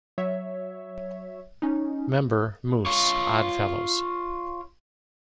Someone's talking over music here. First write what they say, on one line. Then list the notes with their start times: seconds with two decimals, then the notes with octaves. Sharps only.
Member, Moose; Odd Fellows.
0.18 F#3 C#5 E5
1.62 C#4 D#4
2.86 F4 C#5